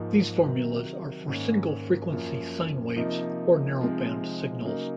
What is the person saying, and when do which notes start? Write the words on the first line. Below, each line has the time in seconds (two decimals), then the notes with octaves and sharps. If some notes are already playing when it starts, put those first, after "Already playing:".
These formulas are for single-frequency sine waves or narrowband signals.
Already playing: G#2 F3 A#3 D#4
0.44 C3 D#3 F#3
1.28 G#2 D#3 A#3 C#4
2.12 F#2 F3 A#3 C#4
2.96 C3 F3 A#3 D#4
3.80 C3 F3 G#3 C4 D#4
4.64 C#3 F#3 A#3 D#4